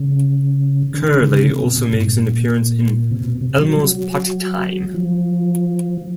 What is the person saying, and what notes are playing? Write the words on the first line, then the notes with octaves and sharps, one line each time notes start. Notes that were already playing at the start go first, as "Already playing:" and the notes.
Curly also makes an appearance in "Elmo's Potty Time".
Already playing: C#3
D3
D3
C#3
C#3
C3
B2
A#2
G#2
A#2
C3
B2
C3
F#3
F#3
F3